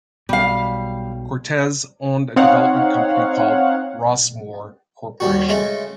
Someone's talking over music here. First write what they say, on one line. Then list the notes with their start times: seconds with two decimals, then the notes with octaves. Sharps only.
Cortese owned a development company called Rossmoor Corporation.
0.29 B1 B2 G3 F5
2.36 C4 D#4 C#5 F5 F#5
5.20 D#2 G3 F#4
5.49 C#3 G#3 A3